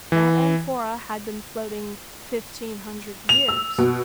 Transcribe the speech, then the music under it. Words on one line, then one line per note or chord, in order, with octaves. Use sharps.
That amphora had been floating fifteen hundred years.
E3
F7
E6
B2